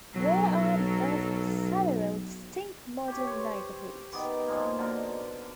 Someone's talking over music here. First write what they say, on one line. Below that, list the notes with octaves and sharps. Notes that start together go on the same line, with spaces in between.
There are thus several distinct modern neighborhoods.
B1 F#3 A4 A#4
G4 C#5
C5 C#5
D#3 B3 D6
A#2 F3 G#3 A#3
B2 D3 A#4